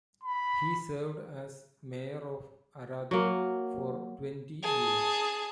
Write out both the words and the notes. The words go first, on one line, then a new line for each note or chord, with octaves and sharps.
He served as mayor of Arad for twenty years.
B5
F#3 A#3
G#4 A5